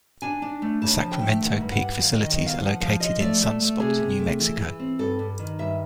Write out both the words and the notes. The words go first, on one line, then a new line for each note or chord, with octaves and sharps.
The Sacramento Peak facilities are located in Sunspot, New Mexico.
D4 G#5
D4
A3
C#3 A5
F3
G5
A3
D#3 F#5
G2
F#5
G2
D#3 F5
D#3 D#5
D#5
B3
F5
F3 F#5
F3 F5
F3 D#5
A3 D5
A3
A3
C3 G#4
C3
A3
E3
E3
C4
G2 A4
G2
D#3
G2 E5